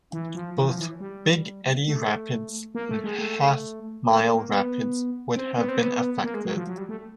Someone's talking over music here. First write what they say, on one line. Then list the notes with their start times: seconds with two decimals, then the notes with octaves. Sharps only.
Both Big Eddy Rapids and Half Mile Rapids would have been affected.
0.13 E3
0.35 F3
0.57 E3
0.68 F3
0.79 E3
1.00 G3
1.88 A3
2.75 A#3
2.89 A3
3.04 G#3
3.18 A3
4.06 A#3
4.20 A3
4.35 A#3
4.49 B3
5.36 C4
5.58 B3
5.69 C4
5.79 B3
6.24 A#3
6.34 G#3
6.45 F#3
6.56 F3
6.67 F#3
6.78 G3
6.89 A3